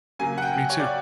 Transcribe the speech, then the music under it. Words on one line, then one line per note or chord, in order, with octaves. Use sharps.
Me too
C#3 F#3 A#3 G#5
F#5
G5
C#5
D5